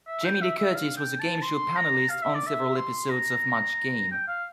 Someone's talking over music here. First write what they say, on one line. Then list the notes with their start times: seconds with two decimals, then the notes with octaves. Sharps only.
Jamie Lee Curtis was a game-show panelist on several episodes of "Match Game".
0.07 E5
0.24 G5
0.41 E5
0.58 E5
0.75 F5
0.97 G5
1.20 A5
1.42 C6
1.76 A#5
2.10 F5
2.23 E5
2.35 D5
2.47 E5
2.76 C6
3.10 A#5
4.11 G5
4.28 F5